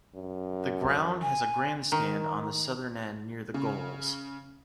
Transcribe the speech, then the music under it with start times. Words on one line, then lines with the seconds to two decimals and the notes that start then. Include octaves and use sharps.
The ground has a grandstand on the southern end near the goals.
0.15 F#2
1.22 G#5
1.92 D#3
3.54 C#3